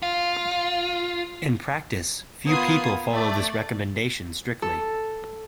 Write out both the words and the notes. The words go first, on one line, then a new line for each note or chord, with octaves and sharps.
In practice, few people follow this recommendation strictly.
F4
A#3 B3 F4 D#6 G#6 C7
A3 D5
A4